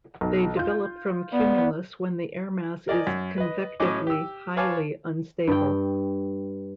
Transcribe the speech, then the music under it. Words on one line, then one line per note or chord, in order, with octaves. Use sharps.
They develop from cumulus when the airmass is convectively highly unstable.
B1
F4 G6
B3 D5
A#4 D5 D#5 G#5
F#2
B4 D#5
A2 F#3 C#4 D#5 G#5 D6
G4 E6
B4 C#5 F5 G#5 A5 D6
G2 G5